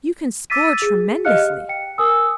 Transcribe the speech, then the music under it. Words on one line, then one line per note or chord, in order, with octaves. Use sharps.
You can score tremendously.
D6 E6 A6 B6 D#7
G#4
G4 D#5 F5 F6 F#6 C#7
F5
G5 C#7
A#4 G#5 D#6 E6